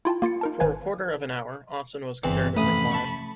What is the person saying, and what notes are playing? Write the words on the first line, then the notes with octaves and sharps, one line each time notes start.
For a quarter of an hour Austin was comparatively quiet.
E4 F4 G5 A5
A#3 F4 A6 C#7
D#4 A#4 A5
G#1 B4 C5 F5 G#5 G#6
G1 E2 E3 C4
A1 F2 C3 A3 B5 D#6
A5 C#6